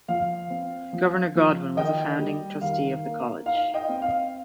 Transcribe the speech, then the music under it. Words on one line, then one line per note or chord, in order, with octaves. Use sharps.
Governor Godwin was a founding Trustee of the College.
F3 F5
C4
F3
F3
D#3 D#5 G5
G3
D#3 F5
A#3
D#4 F5
D#5 G5
C4
F5